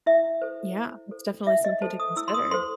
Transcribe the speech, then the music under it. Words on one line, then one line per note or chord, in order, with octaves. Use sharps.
Yeah. It's definitely something to consider.
E4 E5
A4 C5
E4
A4 C5
E4 E5
D#5
A4 C5 A5
D#6
E4 E6
C6
D#6
A4 C5 C6